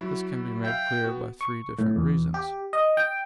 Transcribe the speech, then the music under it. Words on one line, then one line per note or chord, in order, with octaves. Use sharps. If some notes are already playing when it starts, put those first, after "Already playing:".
This can be made clear by three different reasons.
F#3 E4 F#4
E5 F5 G5
B3 F#4
C#6
A2
E2
G4
D#5
G5